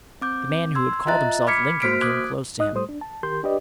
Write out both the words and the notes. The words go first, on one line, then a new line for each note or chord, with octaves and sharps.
The man who had called himself Lincoln came close to him.
C4 D6 G6
C6 E6 G#6
F4 D#5 E5 A#5 F#6 A6
B5 D6 F6 G#6 B6 C#7
A#3 F#4 C5 F6 B6 D7
D6 D#6 F#6 G#6 D7
D#4 D#5 D#6 F#6
A2 G3 A3 C5 D#6
D4
A5
D#3 G4 A#4 C6 G6
D4 G4 B4 D5 D#5